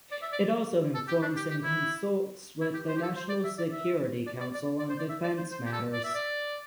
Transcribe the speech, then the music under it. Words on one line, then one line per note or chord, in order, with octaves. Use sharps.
It also informs and consults with the National Security Council on defense matters.
D5
E5
D5
A4
G4
D4
G4
G4
E4
E4
G4
C5
G4
A4
C5
D5
E5
D5
E5
D5
D5
D5
D5
C5
D5
E5
D5
C5
C5
G4
A4
D5
E5
D5